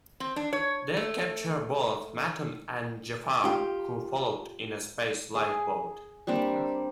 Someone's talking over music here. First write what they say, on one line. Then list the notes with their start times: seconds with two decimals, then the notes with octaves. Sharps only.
They capture both Matton and Jaffar, who followed in a space lifeboat.
0.20 C4
0.36 D4
0.53 C#5
0.97 A3
3.44 F4 G4
5.35 G#4
6.27 G3 A#3 C4 D4